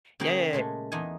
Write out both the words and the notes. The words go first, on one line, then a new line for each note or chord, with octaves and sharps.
Yeah, yeah, ye
C#3 A#3 G#4 G5
A#2 G#3 A3
E2 G#3 D#4 G#5